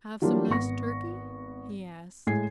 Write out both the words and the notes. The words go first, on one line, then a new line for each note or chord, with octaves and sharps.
"Have some nice turkey?" he asked.
E3 F#3 G3 A#3 D4 F4
G#1 B3 C#6 A#6
A2 G#3 G#5 G#6 C7